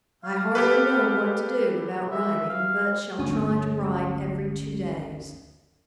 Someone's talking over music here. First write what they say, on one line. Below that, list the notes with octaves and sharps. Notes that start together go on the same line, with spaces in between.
I hardly know what to do about writing, but shall try to write every two days.
F5
G4 A4 B4
E5
F5
G1 D2 C#4 D#6